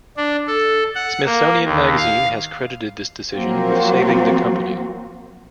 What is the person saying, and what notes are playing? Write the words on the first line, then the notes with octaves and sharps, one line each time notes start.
Smithsonian magazine has credited this decision with saving the company.
D4
A4
F#5
A#3
D#2
F5
F3 F#3 A#3 C4 F4 F#4